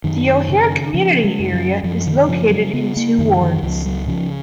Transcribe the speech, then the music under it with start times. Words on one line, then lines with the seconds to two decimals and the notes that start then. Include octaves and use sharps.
The O'Hare community area is located in two wards.
0.04 F#2 D#3
0.49 C#3
0.94 C#3 F3
1.24 G#3
1.40 F#2
1.54 F#3
1.83 F#2 F3
2.07 D#3
2.29 C#3 F3
2.50 F#3
2.73 C#3 B3
2.97 A#3
3.18 F#2 D#3
3.41 D#3
3.56 F#3
3.63 C#2 F3
3.86 F#3
4.08 C#3 F3